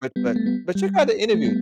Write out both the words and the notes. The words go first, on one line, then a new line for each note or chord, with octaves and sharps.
But but but check out the interview.
G3 B3
G3 B3
A3
G3 B3
G3
A3
G3 B3